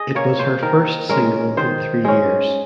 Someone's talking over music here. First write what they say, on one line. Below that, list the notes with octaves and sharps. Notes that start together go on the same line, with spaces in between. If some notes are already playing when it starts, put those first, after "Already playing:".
It was her first single in three years.
Already playing: G#4 D#5
A#3 C#4 C#5
C5
D#3 A#4
G#3 C#4 A#4
D#3 C5
G#3 C#4